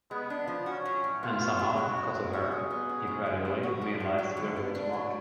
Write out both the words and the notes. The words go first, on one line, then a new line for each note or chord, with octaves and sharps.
And somehow, because of her, he gradually realised where he was wrong.
G#3 B3
D4
F3
C#4 F#4
F#3
A2
B3 F4
F#4
F#3
G#3 F#4
B3
G#3
F#4 G#4
G#3
B3
F#4
F3
D3
B3
F#4
F3
D4
F#3
D3
B3
D4
F#3